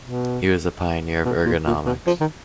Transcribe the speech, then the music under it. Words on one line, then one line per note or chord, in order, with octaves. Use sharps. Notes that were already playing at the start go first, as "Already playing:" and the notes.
He was a pioneer of ergonomics.
B2
B2
A#2
A#2
B2
F3
D#3